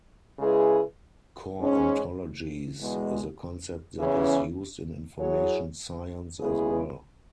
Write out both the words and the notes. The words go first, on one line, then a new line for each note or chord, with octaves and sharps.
Core ontologies is a concept that is used in information science as well.
C#3 G#3 E4 G#4 B4
G#2 G#3 C#4
E2 B2 G#3
E2 C#3 E3 C#4 E4
F#3 E4 G#4 C#5
C#3 G#3 B3 E4 G#4